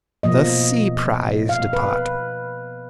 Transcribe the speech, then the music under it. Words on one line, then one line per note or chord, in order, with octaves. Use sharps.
"The Sea Prize Department."
B2 F3 A#3 D#5
F5
B4